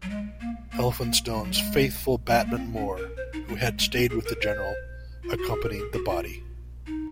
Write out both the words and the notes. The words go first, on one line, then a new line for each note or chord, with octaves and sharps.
Elphinstone's "faithful" batman Moore who had stayed with the General accompanied the body.
F#3
G#3
A#3
A#3
A#3
G#3
F#3
G#3
F#3
G#3
A#3
C4
C#4
A#4
C5
D#4
G#3
G#3
G#3
C4
G#4
A#4
C5
F4
F#4
G#4
A#4
G#4
F#4
F4
D#4